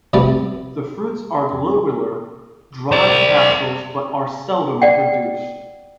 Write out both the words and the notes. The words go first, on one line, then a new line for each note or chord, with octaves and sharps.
The fruits are globular dry capsules but are seldom produced.
C3 F3 G3 A3 B3 A4
C5 D5
D5 F#5 G5